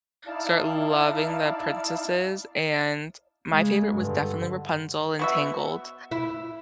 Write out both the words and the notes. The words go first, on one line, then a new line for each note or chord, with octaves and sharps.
start loving the princesses, and my favorite was definitely Rapunzel in Tangled,
D#4 E4 D5 F5 A5
C#3 G#3
G2 D3
B3 F#4 E5
E4